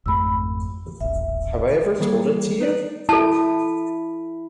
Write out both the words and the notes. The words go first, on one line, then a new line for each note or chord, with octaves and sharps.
Have I ever told it you?
G#1 F2 A3 B5 E6
D#1 A1 E5
D#3 G3 A#3 G#4 A4
D#4 B4 D5
E4 A4 A5